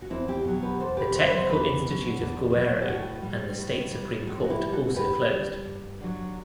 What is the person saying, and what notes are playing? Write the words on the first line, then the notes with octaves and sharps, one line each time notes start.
The Technical Institute of Guerrero and the state Supreme Court also closed.
F#4
E2 C4 E4
E4 G4
B2 F#3
G4 B4
E2 A4 C5
G4 B4
B2 F#3 A4 C5
B4
A4 C5
E2 G4 B4
B2 F#3
E2
B2 F#3
G4
A2 F#4 A4
G3
A2
G3
A2 F#4 A4
F#4
E4 G4
G3
F#4 A4
A2 G4 B4
G3
G2
D3 F#3